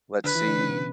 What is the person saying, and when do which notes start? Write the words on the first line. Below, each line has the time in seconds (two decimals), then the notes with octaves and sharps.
Let's see
0.24 D3 D4 B4
0.35 E3 E4
0.47 D3 D4
0.58 C#3 C#4
0.70 B2 B3